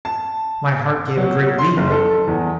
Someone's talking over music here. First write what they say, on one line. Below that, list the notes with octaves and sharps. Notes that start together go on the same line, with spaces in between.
My heart gave a great leap.
A5
F#3
C6
F#1
A4
E2